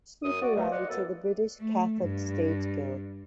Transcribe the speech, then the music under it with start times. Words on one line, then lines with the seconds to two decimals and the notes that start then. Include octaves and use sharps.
She belonged to the British Catholic Stage Guild.
0.24 F#2 D#6
0.41 F#4 D5
0.55 B2 D#3 E3 G3 A3
0.71 F4 D5 D#5 F#5
0.89 F#2 B3 A4
1.60 A3
2.01 G2